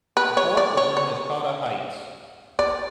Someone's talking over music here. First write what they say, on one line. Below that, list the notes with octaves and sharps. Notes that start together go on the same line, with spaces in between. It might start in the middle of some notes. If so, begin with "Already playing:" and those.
The fort was known as Cotta Heights.
B4
C#5
D5
C#5
C#5
D5